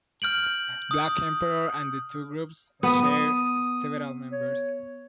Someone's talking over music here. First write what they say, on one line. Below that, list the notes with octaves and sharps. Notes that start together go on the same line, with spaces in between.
Black Emperor, and the two groups share several members.
F6 G6 D7 F#7
D#6
B3 D#6
C#5